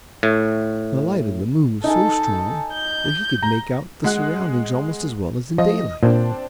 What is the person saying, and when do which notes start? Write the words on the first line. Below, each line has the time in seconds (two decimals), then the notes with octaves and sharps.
The light of the moon was so strong that he could make out the surroundings almost as well as in daylight.
0.23 A2
1.84 D#4 A4 G#5
2.73 G6
3.42 A#5
4.04 G#3 F#5 F#6
5.58 F3 D#5
6.03 A#2 C4 D4